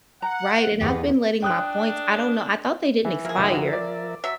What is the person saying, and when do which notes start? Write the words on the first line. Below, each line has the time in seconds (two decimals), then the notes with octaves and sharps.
Right, and I've been letting my points I don't know, I thought they didn't expire,
0.22 F#5 A#5
0.81 E2 F4 G4 G#4 B4 D#5 F#5
1.42 D4 G5 D#6 F#6
3.05 E3
3.25 F3 A#3 G#4 A#4 E5
3.37 C#2 F#2 D#3
3.54 F#4
3.73 D5
4.24 F#3 E5